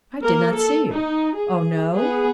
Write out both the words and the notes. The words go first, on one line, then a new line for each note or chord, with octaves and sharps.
I did not see you." "O no!
A#3 A#4
A4
D#4
G#4
B3 G#4